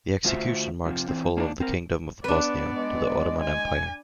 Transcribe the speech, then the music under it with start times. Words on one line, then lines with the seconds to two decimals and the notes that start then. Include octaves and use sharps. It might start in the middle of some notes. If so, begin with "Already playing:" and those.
The execution marks the fall of the Kingdom of Bosnia to the Ottoman Empire.
0.25 D3 A3 F4 F#4 C5 E5
0.86 F2 C3 F3
1.09 E3 C4
1.37 A#3 D4 D#4 C5 D5
1.60 C4 A#4
2.24 B3 D4 B4 D5
2.73 G#3
3.42 G#5